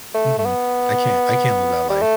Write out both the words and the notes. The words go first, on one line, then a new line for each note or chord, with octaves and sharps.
Mm-mm, I can't I can't live that life.
A3
A3
B3
G3
A3